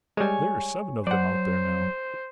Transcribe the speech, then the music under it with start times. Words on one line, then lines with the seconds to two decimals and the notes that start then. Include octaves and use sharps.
"There are seven of them out there now."
0.17 G3 G#3 C#5 G#5
1.07 F#3 C5 D5 F#5